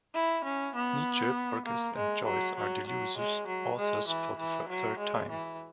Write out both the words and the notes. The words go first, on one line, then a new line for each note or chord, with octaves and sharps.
Nietzsche, Borges, and Joyce are Deleuze's authors for the third time.
E4
C#4
B3
A#3
G#3
F#3
F#3
F#3
G#3
F#3
G#3
E3
E3
F#3
G#3
E3